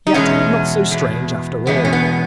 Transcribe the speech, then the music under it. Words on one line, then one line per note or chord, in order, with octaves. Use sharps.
Yet not so strange after all.
D#4
E2 B2 G#3 C#4
E2 B2 G#3
E2 B2 G#3 B3
C#4
B3